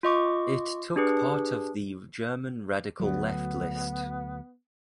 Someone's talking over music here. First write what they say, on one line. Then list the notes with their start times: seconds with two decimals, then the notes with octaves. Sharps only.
It took part of the German radical left list.
0.03 F4 D#5 C#6 D6
0.96 D4 G4 G#4 B4
3.00 D2 F#3 B3